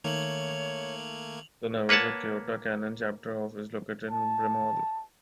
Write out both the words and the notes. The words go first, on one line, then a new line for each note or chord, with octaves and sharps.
The Navajo Coyote Canyon Chapter House is located in Brimhall.
D#3 A3 A#3 C#5 G#6 F7 F#7
A#3 B4 C#5 F#5 A5
A5